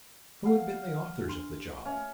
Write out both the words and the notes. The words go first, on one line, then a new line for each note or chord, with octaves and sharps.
Who had been the authors of the job?
F5 F#5
D4 C6
C#4 E5 F5